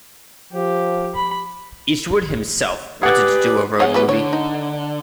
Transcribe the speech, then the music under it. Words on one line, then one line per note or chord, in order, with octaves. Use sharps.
Eastwood himself wanted to do a road movie.
F3 G4
B5
G4 G#4 B4 D5 F#5
B3 G#4 C#5 F#5
G3 F#4 B4
D3 C#5
D#4